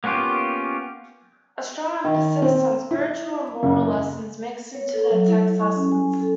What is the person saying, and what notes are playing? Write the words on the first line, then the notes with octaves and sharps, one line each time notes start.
A strong emphasis on spiritual and moral lessons mixed into the text's lessons.
A#3 B3 C#4 F4 G4
D#3
C4
E4
F#1
C#5
A4
F#3
E4
E4
C#6
C#4
G#5
A4